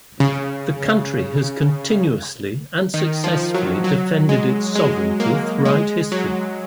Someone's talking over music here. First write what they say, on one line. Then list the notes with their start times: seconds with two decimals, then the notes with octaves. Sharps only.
The country has continuously and successfully defended its sovereignty throughout history.
0.20 C#3
2.94 D#3
3.24 F3
3.54 F#3
3.84 F#3
4.29 G#3
4.75 G#3
5.20 A#3
5.65 G#3
6.12 F#3